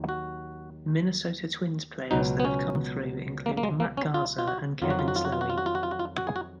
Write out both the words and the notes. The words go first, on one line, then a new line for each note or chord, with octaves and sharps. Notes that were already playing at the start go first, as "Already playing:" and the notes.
Minnesota Twins players that have come through include Matt Garza and Kevin Slowey.
Already playing: D#2 D#3 F#3
F#4
C#2 B2 F#3 D#4
B3
C#4
A#3
A#3
G#3
A#3
C#4
F4
F4
F#4
F2 D#3 F#3 F4
F#4
F4
F#4
F4
F#4
F4
F#4
F4
F#4
F4
F#4
F4
F#4
F4
F#4
G#4
F#4